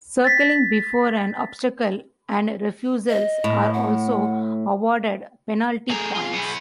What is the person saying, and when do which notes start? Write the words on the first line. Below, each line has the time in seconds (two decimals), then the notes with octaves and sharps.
Circling before an obstacle and refusals are also awarded penalty points.
0.24 A6 B6
3.09 D#5
3.44 A2
3.73 F#5
5.90 B1 A3 G#4 A#5
6.15 F4
6.33 B3 E4